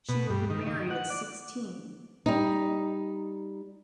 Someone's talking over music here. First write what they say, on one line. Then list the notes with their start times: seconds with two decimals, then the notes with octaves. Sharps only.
She will be married at sixteen!
0.09 B2
0.30 G2
0.50 D#3
0.66 D#3
0.90 F#5
1.10 D5
2.26 G3 D#4